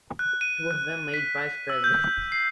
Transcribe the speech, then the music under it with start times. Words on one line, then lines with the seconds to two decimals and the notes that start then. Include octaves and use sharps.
He was then made vice president.
0.19 F#6
0.41 D#7
0.71 F#6
1.14 B6
1.70 E6
1.84 G6
2.32 C7